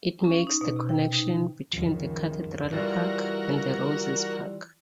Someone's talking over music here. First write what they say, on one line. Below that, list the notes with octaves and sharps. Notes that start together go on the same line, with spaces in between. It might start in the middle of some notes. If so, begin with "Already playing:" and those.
It makes the connection between the Cathedral Park and the Roses Park.
C#4
D#4
B2
C3
G5
D#4
D#3
C#2 F#2 D#3 F3
E3 G3 F4 F#4 A#4